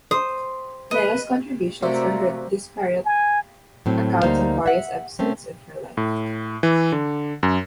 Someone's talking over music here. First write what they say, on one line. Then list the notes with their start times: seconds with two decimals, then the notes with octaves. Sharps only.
Nena's contributions are her disparate accounts of various episodes in her life.
0.11 C5 D#6
0.91 B4 D#5
1.82 C3 A3 A#3 F#4 C5 D5 E5
3.05 G#5
3.86 A2 F#3 C4
4.23 D2 G3 A#3 D#4 C5 F5
4.66 E5 F#5
5.19 A3 C4 C#4
5.97 A2
6.63 E3
6.92 D3
7.43 F#2